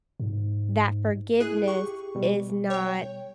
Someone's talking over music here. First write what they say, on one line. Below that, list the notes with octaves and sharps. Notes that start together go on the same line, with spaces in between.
that forgiveness is not
G#2
E4 G#4 F#6
G4 C#6
B2 G3
C#5 G5